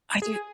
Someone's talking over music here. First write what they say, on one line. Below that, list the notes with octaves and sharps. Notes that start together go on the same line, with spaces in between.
I do
G#4